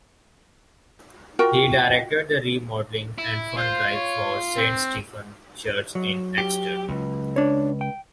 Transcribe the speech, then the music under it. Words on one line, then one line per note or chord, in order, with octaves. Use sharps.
He directed the Remodeling and Fund Drive for Saint Stephen Church in Exter.
F4 F#4 A#4 G5
E4
F4 C5
C#5
C4
F#3
G4
C#2
D4 C#5
G5